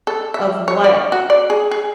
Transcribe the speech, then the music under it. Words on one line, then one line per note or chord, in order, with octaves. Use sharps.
of what
A4
E5
C#5
D5
F#4
D5
G#4
G#4